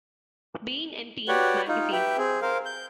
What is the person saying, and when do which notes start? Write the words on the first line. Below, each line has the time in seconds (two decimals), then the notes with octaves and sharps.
Bean and "Teen" magazine.
1.28 F#4 G4 B4 C#5 D5 F#5
1.68 D#4 F4
1.92 G4 B4 E5 G5
2.17 C4 G#4
2.42 A#4 C5 F5
2.65 G6